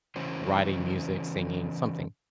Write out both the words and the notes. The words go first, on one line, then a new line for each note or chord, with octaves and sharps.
writing music, singing, something,
C#3 E3 C#4 F#4 C5